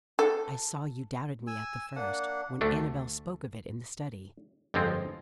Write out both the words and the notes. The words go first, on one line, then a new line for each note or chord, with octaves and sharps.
I saw you doubted me at the first, when Annabel spoke of it in the study.
A4
G#5 E6
A#3 D4 F#5
D2 A3 D4
G1 F2 F3 G#3 C4